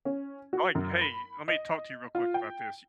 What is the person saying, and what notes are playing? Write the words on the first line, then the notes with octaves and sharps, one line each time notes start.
I like, "Hey, let me talk to you real quick about this.
C#4
F#4
F#2
B5
D#5
F4
G5